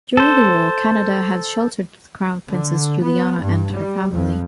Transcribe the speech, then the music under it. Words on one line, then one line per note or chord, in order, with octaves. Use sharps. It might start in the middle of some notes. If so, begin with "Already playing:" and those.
During the war Canada had sheltered Crown Princess Juliana and her family.
A4 C5
D3
B3
G2
G3
F2